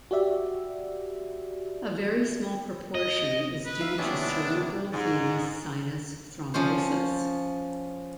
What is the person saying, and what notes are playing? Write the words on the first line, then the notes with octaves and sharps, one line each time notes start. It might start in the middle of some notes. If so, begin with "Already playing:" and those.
A very small proportion is due to cerebral venous sinus thrombosis.
F#4 G4 D5 E5
D#5
B4
D#4 E5 F5
D#2 C3 B3 C#4 D4 E4
G#2
F3 C#4 F4 C5